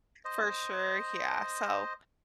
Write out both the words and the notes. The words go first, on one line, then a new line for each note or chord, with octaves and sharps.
For sure, yeah, so,
C5 D#5